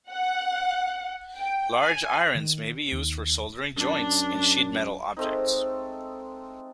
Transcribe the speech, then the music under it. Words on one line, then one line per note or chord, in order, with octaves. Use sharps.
Large irons may be used for soldering joints in sheet metal objects.
F#5
G5
G#5
D#3
D#2
F#2 D4
G#3 A3 C4 D#4